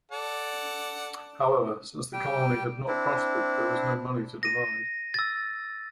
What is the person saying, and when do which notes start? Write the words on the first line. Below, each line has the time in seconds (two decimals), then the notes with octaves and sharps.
However, since the colony had not prospered, there was no money to divide.
0.12 A4 D5 F#5
2.13 G3 G5
2.88 C4 D4 E4
4.43 A#6 D#7
5.14 E6 A6